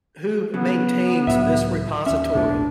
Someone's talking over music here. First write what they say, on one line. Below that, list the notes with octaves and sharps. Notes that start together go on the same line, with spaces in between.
Who maintains this repository?
C#3 F#3 B3
C#2 A2 F#3 E5
D#2 C#4 E5
E1 B1 A2 D4